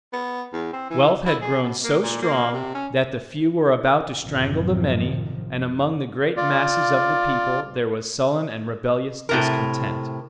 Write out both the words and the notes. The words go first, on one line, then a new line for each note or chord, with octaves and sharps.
Wealth had grown so strong, that the few were about to strangle the many, and among the great masses of the people, there was sullen and rebellious discontent.
B3
E2
C4
E3
E4
G#4
B2
A#3
A#2
A#3
C3
C#4
A1 F#2 C3 D#3 F3 F#3
F4 D5
A2 C3 A#4